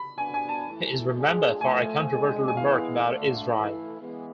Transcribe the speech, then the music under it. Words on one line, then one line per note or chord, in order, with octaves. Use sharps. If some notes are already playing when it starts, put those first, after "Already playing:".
He is remembered for a controversial remark about Israel.
Already playing: B5
C2 B2 B3 D4 G#5
G#5
A5
E3 A3 E4
A2 G#3 D4 F4 G#4
A2 F3 A3 G#5
F2 D3 G#3 D4
G#5
E3 G#3 B3 E4 F5
D2 D3 A3
E3 A3 E4
E3 G#3 B3